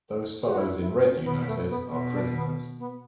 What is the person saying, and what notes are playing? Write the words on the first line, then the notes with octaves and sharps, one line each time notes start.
Those fellows in red you notice are prisoners.
G4
F#4
E4
E4
C#4
B2 B3
A3
B3
B2 B3
D4
B3
B3